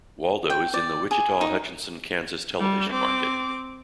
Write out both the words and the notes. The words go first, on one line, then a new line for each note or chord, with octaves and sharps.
Waldo is in the Wichita-Hutchinson, Kansas television market.
G5
D5
G#4
D#4
G3
C4 D6